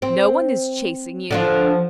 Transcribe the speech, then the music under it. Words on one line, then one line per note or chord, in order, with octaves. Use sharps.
No one is chasing you.
C4
D3 F3 D4 F4